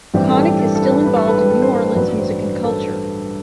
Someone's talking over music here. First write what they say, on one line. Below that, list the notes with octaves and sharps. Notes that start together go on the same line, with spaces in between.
Connick is still involved in New Orleans music and culture.
A1 G2 E3 G3 C4 G4
A4
G4
A4
A4
B4
B4
A4
B4
B4
A4
C5
B4
A1 G2 F#3 B4
C5
B4
A4